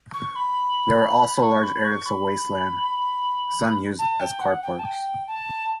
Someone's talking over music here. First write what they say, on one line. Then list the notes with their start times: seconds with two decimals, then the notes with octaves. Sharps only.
There were also large areas of wasteland, some used as car parks.
0.14 C#6
0.36 B5
1.32 B5
1.42 C#6
1.63 B5
1.84 C#6
2.06 B5
3.99 A5
4.20 G5
4.41 F#5
4.62 G5
4.79 A5
4.85 G5
5.27 A5